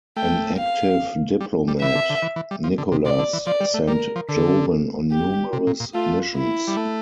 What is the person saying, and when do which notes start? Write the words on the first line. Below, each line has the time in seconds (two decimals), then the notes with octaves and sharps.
An active diplomat, Nicholas sent Jovan on numerous missions.
0.16 A3 G5
0.58 F5
1.40 G3
1.68 G3
1.81 E3 E5
1.95 D3
2.10 D3
2.22 E3
2.36 E3
2.51 G3
2.63 F3
2.78 D3
2.92 C3
3.05 C3 D5
3.19 D3
3.33 E3
3.46 F3 D5
3.61 G3
3.74 A3
3.88 G3 A#4
4.16 F3
4.29 D3 A4
5.12 G4
5.53 C3
5.67 A#2
5.80 A#2
5.94 A3 F4
6.35 E4
6.68 G3
6.77 A3